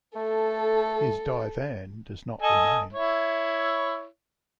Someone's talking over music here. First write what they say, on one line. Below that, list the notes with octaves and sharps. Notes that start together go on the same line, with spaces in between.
His "Divan" does not remain.
A3 A4
A4 D#5 G#5
E4 C#5